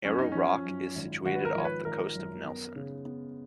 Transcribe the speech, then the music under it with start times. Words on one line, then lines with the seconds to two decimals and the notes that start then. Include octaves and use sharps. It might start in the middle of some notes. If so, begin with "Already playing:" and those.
Arrow Rock is situated off the coast of Nelson.
0.05 F#2 C#4
0.19 D#4
0.32 F3 C#4
0.65 F#2
0.96 G#1
1.25 G#1 F#4
1.35 B4
1.45 A#4
1.55 F3 C#5
1.65 B4
1.85 G#1 A#4
2.15 F#2
2.45 B3
2.76 C#3
3.05 B3